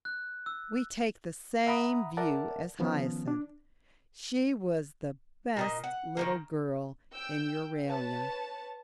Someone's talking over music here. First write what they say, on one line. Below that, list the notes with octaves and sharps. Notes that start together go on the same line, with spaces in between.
We take the same view as Hyacinth: she was the best little girl in Euralia.
F#6
E6
E5 F#5 A#5 B5 D#6
A#4 D5 E5 F#5 A5
D#3 F3 B3 C#4
D4
A#2 A4 D#5
F#5
D#3 G3 A#3
G5 E6 G6
B4 C#5 A5